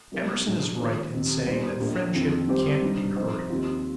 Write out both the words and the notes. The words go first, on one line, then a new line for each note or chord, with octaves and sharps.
Emerson is right in saying that friendship can't be hurried.
C3 G3 D#4 G4 A#4
A#1 A#2 F3 D#4
D#3 A#3 F4 C5
D#2 D#3 C4 D#4 G4
A#2 G3 D#4 G4 C5
A#1 A#2 A#3
F2 D#3 C4 F4
D#3 G3 C4 G4 C5
G2 G3 D#4
C3 F3 D#4 C5
D#2 D#3 C4 F4